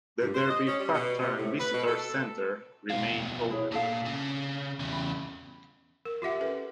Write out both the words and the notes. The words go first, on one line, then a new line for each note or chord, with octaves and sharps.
The Derby factory and visitor centre remain open.
G2
C5
D#5
C#4
G3
B2
C3
A2
B4
B2
A4
B2 F3 F5
E4 G#4 C#5
A#2 D4 A4 F5
C#3
E2 C#3
B5
A#4
F4 G4 E5 F#5
C#4 A4 B4